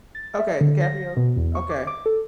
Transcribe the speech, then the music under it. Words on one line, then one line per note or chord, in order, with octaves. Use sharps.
Okay, DiCaprio. Okay.
A6
E5
D3
A#6
B2
E2
C#6
D6
D6
A4